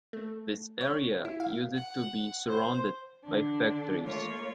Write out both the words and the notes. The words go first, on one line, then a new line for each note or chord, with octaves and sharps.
This area used to be surrounded by factories.
A3
C#5
E4
F5
F#5
C5
D3 D4
A3 A#3 F4 C#5